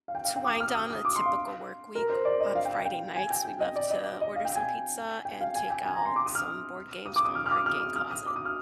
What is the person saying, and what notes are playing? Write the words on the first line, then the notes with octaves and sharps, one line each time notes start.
To wind down a typical work week on Friday nights, we love to order some pizza and take out some board games from our game closet.
F5
G5
F5
G5
D6
D#6
F6
D#6
D#6
D6
C6
F5
A#4
C5
D5
D#5
F5
G5
F5
G5
G#5
G5
G5
D#5
D5
D#5
D5
D#5
F5
G5
G#5
G5
F5
G#5
G5
G#5
A#5
C6
D6
D#6
F6
D#6
D6
D#6
F6
F6
D6
D#6
F6
D#6
F6
D#6
D6
D#6
F6